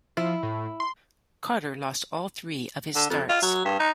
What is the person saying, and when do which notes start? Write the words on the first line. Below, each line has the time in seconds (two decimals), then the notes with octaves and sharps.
Carter lost all three of his starts.
0.17 F3 E4
0.43 A2
0.80 C6
2.95 D3
3.10 F2
3.29 F4
3.42 F#3
3.65 G2
3.79 D#4